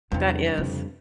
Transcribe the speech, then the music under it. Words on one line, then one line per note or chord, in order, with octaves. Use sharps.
That is.
E2 G2 C3 F3
F2 C#3